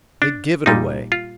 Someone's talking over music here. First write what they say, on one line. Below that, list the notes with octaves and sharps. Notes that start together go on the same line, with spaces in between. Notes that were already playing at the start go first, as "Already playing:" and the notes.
They give it away.
D4
A#2 G3 D#4
F4